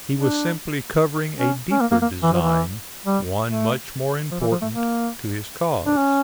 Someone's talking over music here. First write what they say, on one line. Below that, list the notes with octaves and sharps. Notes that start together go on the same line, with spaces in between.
He was simply covering a deeper design; one much more important to his cause.
D4
C#4
C#4
A#3
A#3
A#3
E3
F3
E3
G3
A3
F3
E3
F3
A3
A#3
D4
C#4